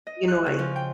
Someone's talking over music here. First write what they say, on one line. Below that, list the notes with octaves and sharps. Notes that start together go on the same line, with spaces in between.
You know, like,
D#5
F#6
C#3
F3
G5